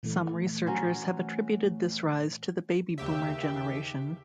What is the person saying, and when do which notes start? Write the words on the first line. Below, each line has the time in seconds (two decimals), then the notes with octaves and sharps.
Some researchers have attributed this rise to the baby boomer generation.
0.03 A#2 E3 A3
0.66 F#3 C#4 C5
2.98 D#2 C#3 G4 E5